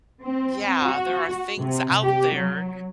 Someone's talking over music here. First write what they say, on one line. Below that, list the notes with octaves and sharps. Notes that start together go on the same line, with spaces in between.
yeah, there are things out there
C4
F#4
C3
G4
F#3